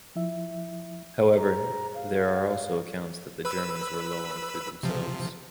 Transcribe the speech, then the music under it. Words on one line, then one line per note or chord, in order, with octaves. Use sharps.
However, there are also accounts that the Germans were low on food themselves.
F3 E4 E5
G#4 A#5
F5
B4 B5 E6
C3 F3